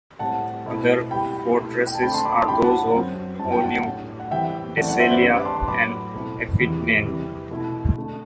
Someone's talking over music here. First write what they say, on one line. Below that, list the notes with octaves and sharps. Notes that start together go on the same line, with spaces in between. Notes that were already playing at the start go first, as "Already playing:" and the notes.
Other fortresses are those of Oenoe, Decelea and Aphidnae.
A2 G3 C4 F#5 A5
B2 A3 C4 E4
C3 G3 B3 E4 G5 B5
B2 A3 E4
G5
A5
D3 A3 C4 G5 B5
A5 C6
B5 D6
A5 C6
D3 G3 C4 E4 G5 B5
F#5 A5
F#2 F#3 C4
G2 F#3 C4 E4 A5
G5
F#5 A5
A2 G3 D4
F#5
A2 E3 G3 C4 E5 G5
F#2 E3 A3 C4 D5 F#5
D5 F#5
C5 E5
B4 D5
G2 D3 G3 D4 C5
B4 D5
D6
A5 C6
A5 C6
A2 F#3 B3 B5 D6
B2 A3 C4 E4
E2 C3 E3
C3 E3 G3
B2 A3 E4
D3 A3 D4